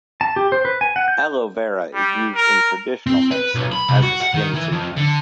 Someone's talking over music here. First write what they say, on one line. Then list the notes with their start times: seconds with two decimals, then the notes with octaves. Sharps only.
"Aloe vera" is used in traditional medicine as a skin treatment.
0.21 A5
0.36 G4
0.52 C5
0.65 B4
0.81 G#5
0.96 F#5
1.08 G6
1.94 G3
2.35 A#4
3.07 C4
3.32 B4
3.55 B1
3.72 B5
3.89 C2
4.03 F#4
4.22 F#5
4.35 D#3
4.54 E3
4.72 F2
4.97 D3